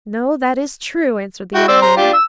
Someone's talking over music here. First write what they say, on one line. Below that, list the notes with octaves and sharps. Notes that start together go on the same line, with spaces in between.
'No; that is true,' answered the young man.
E4 F#4 G5
C4 D5 E6
C5 A#5
D4 F4 G4
E6